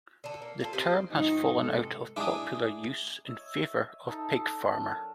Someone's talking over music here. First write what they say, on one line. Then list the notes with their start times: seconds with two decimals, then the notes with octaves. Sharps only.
The term has fallen out of popular use in favour of pig farmer.
0.24 D3 A4
0.42 A#3
0.61 A#3 F4 A4
0.73 G3 A#3 C4 D#5
1.12 G#2 D#3 F3 D#4
1.56 C3 G#3 A4
2.16 G#3 D4 E4 D6 D#6
3.25 C#5 D#5 E5
4.08 D#4 A4
4.60 F#3 D4 A4 A#4